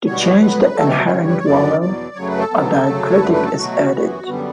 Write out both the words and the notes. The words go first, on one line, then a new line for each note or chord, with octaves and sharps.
To change the inherent vowel, a diacritic is added.
B2 G3 B3 C#5
F#4
C#5
A2 F#3 B3 B4
B2 F#3 A3 A4
G4
B4
G2 E3 G3 C#5
B4
C#5
F#2 D3 F#3 B3 D5
E2 B2 F#3 D5
F#2 C#3 F#3 A3 C#5
B4
A4
C#3 F#3 B3
F#2 C#3 F#3 A3
C#5
F#2 D3 A3 B4
B4
A4
B2 F#3 A3 F#4
F#2 E3 B3
F#2 D3 G3 B3